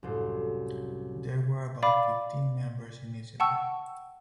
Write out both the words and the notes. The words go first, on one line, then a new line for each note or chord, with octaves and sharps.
There were about fifteen members initially.
C2 F#2 A2 C5
D5 F5 B5 D6
F#5 G5 A5 C#6 E6